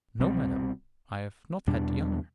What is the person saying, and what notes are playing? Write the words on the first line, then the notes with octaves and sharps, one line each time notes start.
"No, madam, I have not had the honor."
C2 B2 G3 C4
E2 B2 G3 D4